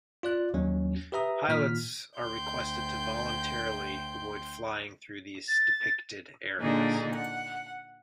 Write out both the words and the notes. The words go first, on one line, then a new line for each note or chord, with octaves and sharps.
Pilots are requested to voluntarily avoid flying through these depicted areas.
F4 D5 F#6
D#2 F#3 C#4
G4 B4 E5 A#5 D#6
A#2 D#3 F6 B6
D2 G5 C6 G6
A6
A#2 D3 A#3 D4 D#4 G#4
F#5